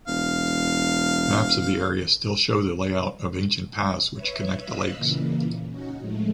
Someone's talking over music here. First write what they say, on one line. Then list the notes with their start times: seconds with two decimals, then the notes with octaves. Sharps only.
Maps of the area still show the layout of ancient paths which connect the lakes.
0.08 E1 F5
4.13 B4 C#5 E5
4.59 D#5 F5 B5 E6 F#6
4.97 A#2 C#3 E3 A#3
5.68 C#4 D#4 F#4
6.00 A2 F3 G#3 A3